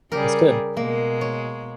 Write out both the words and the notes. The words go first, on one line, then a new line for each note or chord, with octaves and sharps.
That's good.
C#3 G3 G4 G#4 A#4
B2 G#3 A#3 G#4
C#5